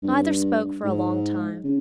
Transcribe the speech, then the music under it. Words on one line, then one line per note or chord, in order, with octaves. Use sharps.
Neither spoke for a long time.
G2
G#2
C#3